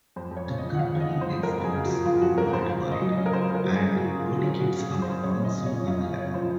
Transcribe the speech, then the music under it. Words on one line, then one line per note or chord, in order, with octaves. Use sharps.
The company exports worldwide and body kits are also available.
F2 C5
F2
C#5
C#3
D#5
F3
F#5
F2 F5
F2 D#5
C#3
C5
F3
F2 A#4
F2
G#4
C#3
F#4
F3
F2 F4
F2 F#4
C#3 A#4
F3 C5
C#3 F5
C#3
D#5
F#3
D#5
C#4
A#4
C#3 C5
C#3
A#4
F#3
G#4
C#4
C#3 F#4
C#3
F4
F#3
F#4
C#4
C#3 F#4
C#3 G#4
F#3
C5
C#4
F#2 C#5
F#2 D#5
C#3
C#5
F3
F#2 F5
D#5
F#2 F5
C#3 C#5
F3 C5